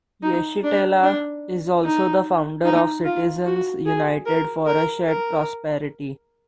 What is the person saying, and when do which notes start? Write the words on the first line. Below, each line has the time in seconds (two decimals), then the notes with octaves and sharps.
Yeshitela is also the founder of Citizens United for a Shared Prosperity.
0.23 D#4
0.64 D4
1.03 D4
1.84 D#4
2.64 D#4
3.05 F4
3.46 F#4
3.86 G#4
4.26 A#4
4.66 A#4
5.07 A#4